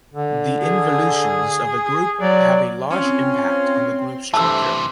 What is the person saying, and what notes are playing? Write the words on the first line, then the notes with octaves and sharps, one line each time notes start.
The involutions of a group have a large impact on the group's structure.
D3
G#4
F#3 D5
C4 C#4 F4
G2 C3 E3 A3 C5 E5 A5 E6